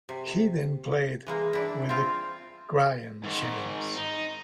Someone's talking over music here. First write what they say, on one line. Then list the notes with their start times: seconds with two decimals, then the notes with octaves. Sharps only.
He then played with The Cryan' Shames.
0.09 C3
1.27 E3 G#3 A#3
1.53 D4 E4
1.89 C4 F4
3.24 G#2 D#3
3.96 D#4